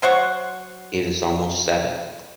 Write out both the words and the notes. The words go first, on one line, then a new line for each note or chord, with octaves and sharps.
It’s almost seven.
F#3 C5 F#5 C#6